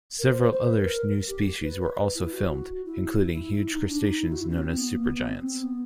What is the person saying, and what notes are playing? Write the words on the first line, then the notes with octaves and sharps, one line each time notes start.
Several other new species were also filmed, including huge crustaceans known as supergiants.
A#4
C5
C5
C5
B4
A#4
G4
B4
B4
E4
F#4
F#4
E4
E4
E4
E4
E4
D#4
D4
D#4
E4
F#4
E4
C#4
C4
B3
A#3
B3
B3
C4
C4
B3